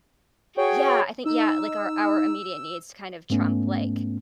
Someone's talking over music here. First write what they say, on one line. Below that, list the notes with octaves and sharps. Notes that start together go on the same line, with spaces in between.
Yeah, I think, yeah, like, our our immediate needs kind of trump, like
F#4 G#4 C#5 G5
D#4 E6
G#2 A3 B3 C#4